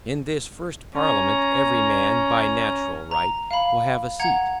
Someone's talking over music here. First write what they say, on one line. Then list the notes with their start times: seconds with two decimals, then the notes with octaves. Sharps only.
In this first parliament every man, by natural right, will have a seat.
0.95 C#4 A#5
3.11 A#5
3.51 F5 B5
4.20 F#5 A#5 G#6